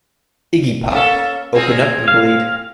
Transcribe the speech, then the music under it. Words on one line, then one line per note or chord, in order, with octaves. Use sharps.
Iggy Pop: Open up and bleed.
A#3 C#4 A4
A#3 C4 G#4
F5